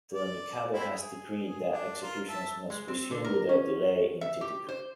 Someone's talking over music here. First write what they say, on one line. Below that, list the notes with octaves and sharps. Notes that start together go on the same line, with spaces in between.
The Mikado has decreed that executions must resume without delay in Titipu.
D5
C4 E4
G#4
D4
F4 A#4
E5 A5
G#3
C4
D3
A#4
C#4
E5
G4
C5